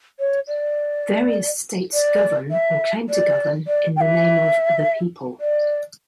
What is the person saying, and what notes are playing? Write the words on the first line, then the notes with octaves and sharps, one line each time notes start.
Various states govern, or claim to govern, in the name of "the people".
C#5
D5
D5
E5
D5
D5
G5
E5
D5